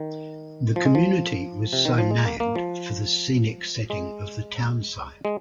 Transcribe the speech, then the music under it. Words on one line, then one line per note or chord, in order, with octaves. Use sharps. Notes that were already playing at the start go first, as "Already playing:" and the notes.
The community was so named for the "scenic" setting of the town site.
Already playing: D#3
F3
G#3
F3
C3
D#3
F3
G#3
A#3
A#3
F3
G#3
G#3